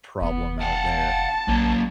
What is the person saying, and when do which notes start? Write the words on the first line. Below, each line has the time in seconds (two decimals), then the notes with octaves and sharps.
problem out there.
0.21 F1 B3
0.61 F5 F#5 A5
1.48 A#1 F#3 A#3